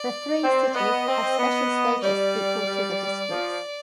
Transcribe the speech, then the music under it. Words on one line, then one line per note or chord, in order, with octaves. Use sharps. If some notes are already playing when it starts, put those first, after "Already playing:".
The three cities have special status equal to the districts.
Already playing: D5
C4
B3 D#5
C4
B3
G3 D5
G3
F3